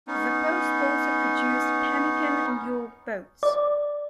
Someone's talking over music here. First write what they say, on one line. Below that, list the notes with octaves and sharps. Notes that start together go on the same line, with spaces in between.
The post also produced pemmican and York boats.
B3 C#4 D#4
D5